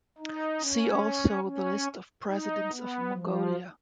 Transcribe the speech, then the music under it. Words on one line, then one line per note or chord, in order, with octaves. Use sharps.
See also the list of Presidents of Mongolia.
D#4
C#4
C#4
D#4
B3
F3